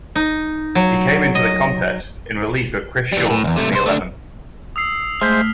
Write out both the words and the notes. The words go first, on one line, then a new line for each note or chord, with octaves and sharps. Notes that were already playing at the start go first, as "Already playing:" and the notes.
He came into the contest in relief of Chris Short in the eleventh.
D#4
F#3
D#5
E3 G3
A2
B1 E2
C3 A3
C2 C5
A3 D4
D#6 E6 C7
G#3 A3 C5 E5 F5 F6 G6 B6